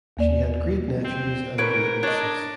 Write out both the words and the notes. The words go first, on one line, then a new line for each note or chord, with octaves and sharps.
She had great-nephews and great-nieces.
D#2 A#3 D5
C4
G#2 A#4 B4 C#5 D7
D4 C#5 D#5